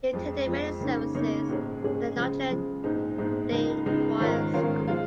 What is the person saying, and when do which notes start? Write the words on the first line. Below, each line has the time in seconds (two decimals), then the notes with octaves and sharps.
He attended many services at the Notre Dame Choir School.
0.13 F2 F3 G#3
0.46 F2 F3 G#3
0.80 C#3 A#3 D#4 C#5
1.14 C#3 A#3 D#4 C#5
1.48 A#1 G#2 G#3 C#4 G#4
1.82 A#1 G#2 G#3 C#4 G#4
2.16 C#3 F3 G#3
2.50 C#3 F3 G#3
2.84 A#1 G#2 G#3 D#4
3.18 A#1 G#2 G#3 D#4
3.52 C#2 C#3 G#3 D#4
3.86 C#2 C#3 G#3 D#4
4.20 G#2 D#3 C#4 F4 A#4
4.54 G#2 D#3 C#4 F4 A#4
4.87 F3 G#3 F4